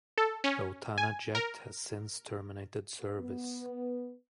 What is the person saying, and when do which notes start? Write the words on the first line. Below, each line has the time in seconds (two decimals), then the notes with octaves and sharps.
Rotana Jet has since Terminated service.
0.18 A4
0.44 C#4
0.98 G#5
1.35 A#4
3.20 B3